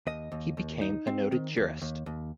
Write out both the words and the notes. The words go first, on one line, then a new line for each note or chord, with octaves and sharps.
He became a noted jurist.
D#2 D#5
D#2
D#2
D#4
C4
D#3
D#2
D#2
D#2